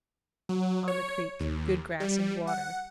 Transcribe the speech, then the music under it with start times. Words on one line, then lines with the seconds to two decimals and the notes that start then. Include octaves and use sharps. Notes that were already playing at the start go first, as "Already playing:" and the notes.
On the Creek.--Good grass and water.
0.49 F#3
0.88 C#5
1.40 D#2
2.00 G3
2.47 F#5